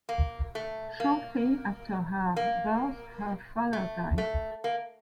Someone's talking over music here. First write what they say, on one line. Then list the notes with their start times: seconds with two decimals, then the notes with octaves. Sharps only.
Shortly after her birth her father died.
0.09 A#3
0.55 A3
1.00 A#3
2.36 A#3
3.73 A3
4.18 A3
4.64 A#3